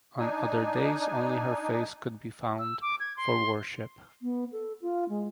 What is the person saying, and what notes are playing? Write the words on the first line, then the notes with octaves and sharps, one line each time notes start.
On other days only her face could be found for worship.
D4 D#4 G#5
E6
D6
G#6
C6
B3
A4
F4
G#3